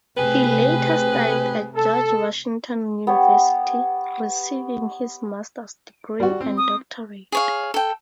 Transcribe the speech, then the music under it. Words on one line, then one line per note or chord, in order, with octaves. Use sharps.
He later studied at George Washington University, receiving his master's degree and doctorate.
C3 A3 G4 G#4 B4
A4
B3 G4 C#5
G3 F#4
C4
D#6
G#4 C#5 F5
A4 G5